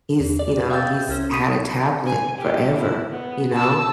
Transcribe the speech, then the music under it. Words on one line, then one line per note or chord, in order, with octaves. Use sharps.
he's, you know, he's had a tablet forever, you know?
E2
D5
E5 F5 G5 E6 G6 A6
C2 C#4 C5
C#6 D#6 B6 D#7
G#5
G4
E4
B3
A5 E6